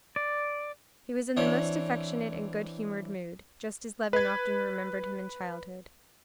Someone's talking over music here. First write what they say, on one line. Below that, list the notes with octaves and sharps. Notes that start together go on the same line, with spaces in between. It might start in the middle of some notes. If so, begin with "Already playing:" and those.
He was in the most affectionate and good-humored mood, just as Levin often remembered him in childhood.
D5
E3 C4 D4 C#5 D5 E5
B4 G#6